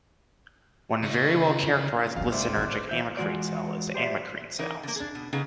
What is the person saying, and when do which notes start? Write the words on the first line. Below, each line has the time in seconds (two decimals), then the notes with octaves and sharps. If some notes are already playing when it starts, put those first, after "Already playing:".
One very well characterized glycinergic amacrine cell is the Amacrine cells.
1.02 C#3 D#5
2.16 A3 D4 F5
2.32 C#2 C5 D5 E5
2.57 D3
2.74 B4
2.89 E3 E5 G6
3.17 E3 F3 G#3 F4 F#4 D5
3.94 G4 C5 D5 E5
4.59 E3 D#4 A#4
4.83 D3 A#3
4.96 D4 G#4
5.15 B2
5.33 C#3 B3 D#4 G#4